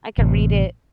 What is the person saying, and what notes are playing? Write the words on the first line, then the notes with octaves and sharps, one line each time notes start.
I could read it
A1 C3